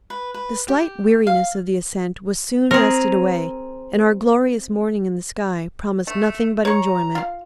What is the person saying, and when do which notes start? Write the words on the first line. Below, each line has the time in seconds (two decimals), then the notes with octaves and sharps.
The slight weariness of the ascent was soon rested away, and our glorious morning in the sky promised nothing but enjoyment.
0.10 B4
0.34 B4
0.68 G4
1.27 F5
2.71 C4 G#4 A#4 C6 C#7
6.07 A3
6.65 C#5 A#5 C#6
7.15 F4 F5